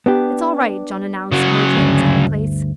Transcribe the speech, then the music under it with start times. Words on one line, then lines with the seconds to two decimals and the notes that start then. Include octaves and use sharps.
"It's all right," John announced, emerging from his hiding-place.
0.06 B3 D4 G4
1.32 C#3 F#3
1.77 D2 G2